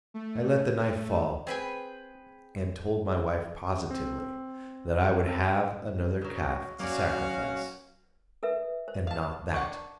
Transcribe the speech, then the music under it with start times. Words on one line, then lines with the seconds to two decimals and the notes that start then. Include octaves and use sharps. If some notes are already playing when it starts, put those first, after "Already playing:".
I let the knife fall, and told my wife positively that I would have another calf to sacrifice, and not that.
0.14 A3
0.78 A3
1.47 C4 G#4 B4 G5 G#5
3.91 C4
5.26 C4
6.22 C#3 F#3
6.80 F#3 A#3 C#4 F#4 D5 F5
8.43 A4 B4 E5
8.88 C5
9.07 F5 A5
9.54 D#3 D4 F#5 C#6